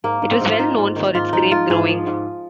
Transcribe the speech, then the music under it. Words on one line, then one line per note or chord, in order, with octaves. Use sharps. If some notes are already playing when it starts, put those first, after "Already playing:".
It was well known for its grape growing.
G#2 A#3
G#2
C4
G#2
F4
G#2 D#4
G#2
D#3
G#2 F4
F3 D#4
F3 F4
G#2 G#4
F3
G#2